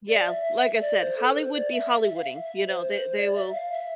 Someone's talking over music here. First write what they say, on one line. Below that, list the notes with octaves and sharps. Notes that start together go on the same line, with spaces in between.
Yeah, like I said, "Hollywood be Hollywooding," you know, they they will
D5
E5
E5
E5
D5
C5
A4
B4
C5
D5
E5
E5
F5
E5
E5
C5
C5
D5
E5
F5
E5